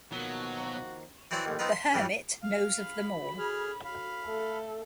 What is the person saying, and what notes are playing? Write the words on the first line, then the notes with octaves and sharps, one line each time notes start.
The Hermit knows of them all.
B2 D#3 F3 F#3 A#3 F#4
E3 C4 F#4 C#5 D5
A1 D#2
B3 C4 D#4 F4 B4
C6
G2 C#3 E3 G3 C#4
F5
B5
G#4 F6
F5 B5
A3 A4